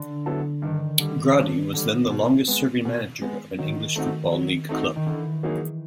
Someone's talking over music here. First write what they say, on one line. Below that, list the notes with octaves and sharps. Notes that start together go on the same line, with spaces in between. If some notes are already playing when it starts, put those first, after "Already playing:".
Gradi was then the longest serving manager of an English football league club.
Already playing: D3
F#3 B3 E4 A4
G2 D#3
D3 G3
G2
D3 G3
B2
G#3 B3
B2
G#3 B3
D#3 F#3
A3 C4 D#4 F#4
F#3
A3 C4 D#4 F#4
D#3
D3 E3
F#3 A#3 D#4 G#4